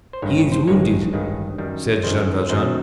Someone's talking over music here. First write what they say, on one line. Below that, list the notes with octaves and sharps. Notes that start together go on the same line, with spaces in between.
"He is wounded," said Jean Valjean.
C5
A1 G2 D#3 G#3 C#5
C#5
C5
A1 G2 D#3 G#3 C#5
A1 G2 D#3 G#3
F#2 D#3 G3
F#2 D#3 G3 C5
F#2 D#3 G3 C5